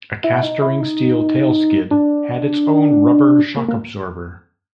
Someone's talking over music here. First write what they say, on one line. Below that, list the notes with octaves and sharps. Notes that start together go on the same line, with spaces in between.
A castoring steel tailskid had its own rubber shock absorber.
E4
D#4
E4
D#4
D4
A#3
A#3